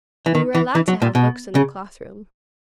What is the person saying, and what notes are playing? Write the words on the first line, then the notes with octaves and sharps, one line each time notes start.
We were allowed to have books in the cloth-room.
E3
D#3
E3
E3
F#3
A#2
B2
C#3